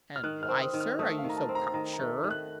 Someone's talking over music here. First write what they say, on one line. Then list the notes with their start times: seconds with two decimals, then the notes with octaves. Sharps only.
"And why, sir, are you so cock sure?"
0.16 F6
0.24 D#3 F#6
0.43 F6
0.49 C4
0.61 D#6
0.74 D#3
0.80 F6
0.99 A3 D#6
1.18 F5
1.24 D#3 A#5
1.37 A5
1.49 C4
1.55 A#5
1.74 D#3 A#5
1.93 A#5
1.99 A3
2.24 D#3
2.31 F#6